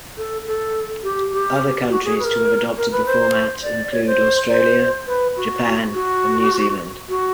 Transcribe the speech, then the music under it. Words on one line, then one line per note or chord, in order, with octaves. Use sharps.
Other countries to have adopted the format include Australia, Japan and New Zealand.
A4
A4
G4
G4
F#4
G#4
B4
A#4
A#4
B4
C5
D5
C#5
C5
C5
B4
F#4
F#4
F#4